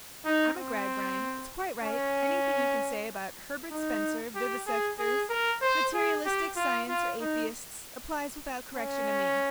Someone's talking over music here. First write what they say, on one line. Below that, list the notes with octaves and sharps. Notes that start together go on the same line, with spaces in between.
I'm a Gradgrind--it's quite right--anything you can say about Herbert Spencer, vivisectors, materialistic Science or Atheists, applies without correction to me.
D#4
C4
C#4
D#4
G4
G#4
G#4
A#4
C5
G#4
G4
F4
F4
D#4
C#4